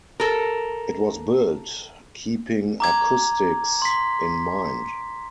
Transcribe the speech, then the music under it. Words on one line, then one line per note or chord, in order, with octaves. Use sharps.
It was built keeping acoustics in mind.
A4 A#4
A#5 D6 G#6
C6 B6